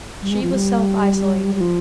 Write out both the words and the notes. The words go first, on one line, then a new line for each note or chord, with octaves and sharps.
She was self-isolated.
G3
G#3
F3
G3
G3
F3